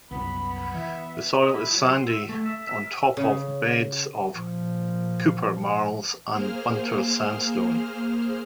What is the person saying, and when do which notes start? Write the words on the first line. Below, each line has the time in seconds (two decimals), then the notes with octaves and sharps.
The soil is sandy on top of beds of Keuper Marls and Bunter Sandstone.
0.11 C2 F#2 B3 B5
0.74 E3 E5
1.42 D#5
1.54 E4
1.70 F#3
1.89 C6
2.06 E5
2.29 A3
2.46 E5
2.67 E5
2.82 A#4
3.17 C#3
4.33 A#2 F3
6.31 A#3 G#4 C5 F6